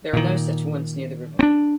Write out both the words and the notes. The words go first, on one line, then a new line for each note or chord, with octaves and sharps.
There are no settlements near the river.
A#2 D#3
C4 D4